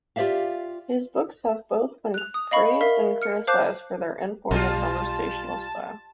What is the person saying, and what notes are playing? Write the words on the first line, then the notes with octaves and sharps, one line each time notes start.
His books have been both praised and criticized for their informal, conversational style.
F4 G4 C#5 D5 E5 F5
F#6 F7
D#6
D#5 F5 B5 C#6
A#4 E5 F5
F6 C#7
C5 F5 A5 D6 F#6 G6
B1 G3 F4 A5